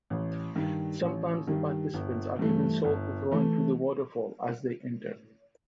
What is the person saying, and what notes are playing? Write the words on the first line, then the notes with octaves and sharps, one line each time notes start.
Sometimes the participants are given salt to throw into the waterfall as they enter.
A1
G2 D#3 G3
A1
G2 D#3 G3
G1
G2 E3 A3
G1
E3 A3